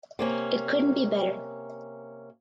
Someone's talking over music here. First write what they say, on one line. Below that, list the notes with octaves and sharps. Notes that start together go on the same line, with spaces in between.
It couldn’t be better.
C3 A#3 C#4